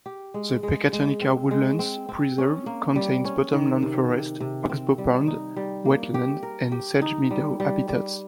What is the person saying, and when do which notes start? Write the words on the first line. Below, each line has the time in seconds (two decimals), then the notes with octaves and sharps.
The Pecatonica Woodlands Preserve contains bottomland forest, oxbow pond, wetland, and sedge meadow habitats.
0.06 G4
0.34 G#3
0.63 G#3
0.93 G#3
1.22 C4
1.51 G#3
1.79 C4
2.09 C4
2.38 C#4
2.66 A#3
2.96 G3
3.25 C#4
3.53 D#3
3.82 C3
4.11 C3
4.40 C3
4.69 C4
4.98 G3
5.27 D#4
5.56 G3
5.85 A#3
6.14 G4
6.43 A#4
6.72 G4
7.02 D#4
7.31 G3
7.60 G3
7.89 G3